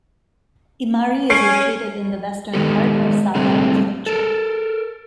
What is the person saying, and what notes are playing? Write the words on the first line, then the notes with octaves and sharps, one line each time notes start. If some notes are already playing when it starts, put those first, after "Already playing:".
Imari is located in the western part of Saga Prefecture.
C#4 C7 D7
D#3 G#3 B3 G4 A4
D3 G3 A3 C4 G#4
A4 A#4